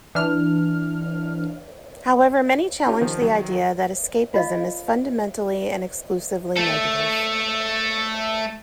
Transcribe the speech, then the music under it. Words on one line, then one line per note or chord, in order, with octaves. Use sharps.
However, many challenge the idea that escapism is fundamentally and exclusively negative.
E3 D4 F6
C#4 D#4 F4 G4
D#3 F3
D#3 F#3
F4 D#5 F5
A3 A4